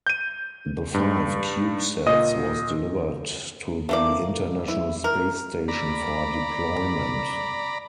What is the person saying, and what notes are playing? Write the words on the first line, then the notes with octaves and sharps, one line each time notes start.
The five CubeSats was delivered to the International Space Station for deployment.
G6 D#7
G2
A#2 D#5 D#6
A3 A#3 D5
E4
A#4
D5 A#5 B5